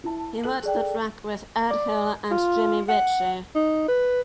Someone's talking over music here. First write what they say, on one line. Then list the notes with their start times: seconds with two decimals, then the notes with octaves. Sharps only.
He wrote the track with Ed Hill and Jimmy Ritchey.
0.04 E4 A5
0.44 A4 F#6 F#7
0.63 G#4 D5 G5
1.70 D5
2.31 F4
2.89 F#5
3.55 D#4
3.88 B4